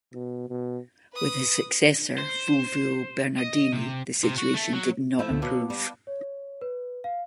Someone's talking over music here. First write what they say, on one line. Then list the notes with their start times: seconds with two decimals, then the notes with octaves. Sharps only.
With his successor, Fulvio Bernardini, the situation did not improve.
0.14 B2
0.49 B2
1.13 B4 D#6
2.18 C5
3.39 D#5
3.72 C3
4.24 C3
4.38 F#4
4.54 A3
4.73 F#3
5.19 F3 A3 E4
5.30 C#2 D3
5.42 B2 F#3 F5 A5 D6
5.70 G3
6.07 C#5
6.61 B4
7.04 F5